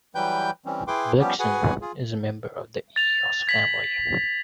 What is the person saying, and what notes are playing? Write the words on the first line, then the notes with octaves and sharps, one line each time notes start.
"Blixen" is a member of the Eos family.
E3 F#3 G3 B4 G5 G6
E3 G3 C4 C#4
E4 G#4 B4 G5 C6 D6
F3 G3 B3 C#4 G4
F#4 G#4 B4 F#5 G#5
F4 G#4
A6 F7
G#6 B6 F#7